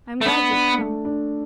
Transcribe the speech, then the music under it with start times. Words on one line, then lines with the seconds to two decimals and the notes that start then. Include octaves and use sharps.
"I am glad you have come."
0.21 A3
0.25 B3 D4
0.51 D4
0.78 A3
1.05 D4